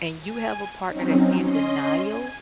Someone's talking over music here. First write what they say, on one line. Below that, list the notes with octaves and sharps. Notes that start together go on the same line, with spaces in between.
and you have a partner that's in denial,
G#5
F#3 C4 C#4 D#4
C#4 D#5 C6
G#5 G#6